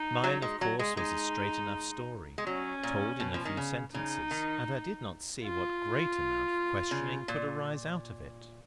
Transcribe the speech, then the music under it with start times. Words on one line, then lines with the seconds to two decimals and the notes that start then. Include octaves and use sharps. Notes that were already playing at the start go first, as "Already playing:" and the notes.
Mine, of course, was a straight enough story, told in a few sentences, and I did not see what great amount of questioning could arise out of it.
Already playing: D#4
0.24 F#3
0.42 G#3
0.61 F#3
0.79 G#3
0.97 G#3 D#4
2.38 G#3
2.46 F#3 C#4
2.83 A#2
3.20 B2
3.34 F3
3.45 D#3
3.57 C#3
3.94 C#3 D#4
4.31 D#3
5.43 F4
6.91 C#3
7.28 A#2